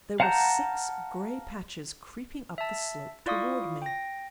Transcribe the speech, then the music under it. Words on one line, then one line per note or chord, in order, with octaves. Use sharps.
There were six gray patches creeping up the slope toward me!
F5 F#5 A5 A#5 G6
E5 A5
E4 F4 D5 F5 C#6 D#6
G5 A#6